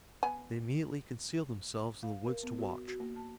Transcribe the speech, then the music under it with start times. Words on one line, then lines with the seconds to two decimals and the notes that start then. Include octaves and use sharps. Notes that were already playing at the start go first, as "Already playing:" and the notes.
They immediately concealed themselves in the woods to watch.
0.23 B3 G#5
2.03 F5
2.27 A#4
2.43 B3
2.58 F#4
2.88 F#4
3.00 A#3
3.16 A5